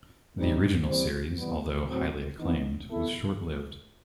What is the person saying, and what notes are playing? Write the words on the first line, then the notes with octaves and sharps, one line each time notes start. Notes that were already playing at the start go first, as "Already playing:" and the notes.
The original series, although highly acclaimed, was short-lived.
A2 G3 C4 D#4
E3 G3 C4
E3 G3 B3
A2 F#3 C4
E3 B3 D#4
B3 E4 A4